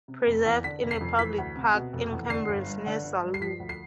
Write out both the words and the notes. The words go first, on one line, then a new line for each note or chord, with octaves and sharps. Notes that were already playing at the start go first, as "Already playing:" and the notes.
Preserved in a public park in Cambrils near Salou.
C3
F1
E2
D3 B6
F1
C7
F2
E3 B6
D2
C3
B2
F1
E2
D3 C7
G1
G2
D3
G1
G2
C7
F3 B6
D2
C7